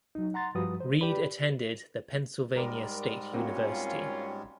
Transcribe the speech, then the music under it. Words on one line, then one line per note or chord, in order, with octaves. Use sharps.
Reid attended the Pennsylvania State University.
F#3 D#4
F#5 A#5 C6 A6
G2 F3 G3 F#4 B4 D#6
C5
G4 B4 D5 B5
G#2 G3 G#3 A#4 D5
A#3 C4 C#4 F4 F#4